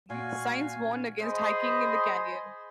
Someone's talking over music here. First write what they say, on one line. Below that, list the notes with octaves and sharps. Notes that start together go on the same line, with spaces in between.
Signs warn against hiking in the canyon.
A#2 F#4 F5 G#5
G#4 C5 D#5 B5 C6